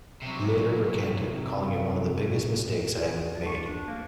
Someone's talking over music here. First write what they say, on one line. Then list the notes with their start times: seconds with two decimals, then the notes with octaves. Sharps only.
He later recanted, calling it One of the biggest mistakes I have made.
0.22 C3 F#3
2.94 F4
3.10 F#4
3.35 A5
3.46 C#6
3.68 D4
3.87 A#3